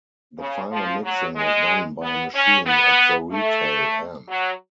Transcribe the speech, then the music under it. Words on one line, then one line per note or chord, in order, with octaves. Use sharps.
The final mixing was done by a machine at the retail end.
C#3
F3
F#3
G#3
B3
C#4
B3
A3
F#3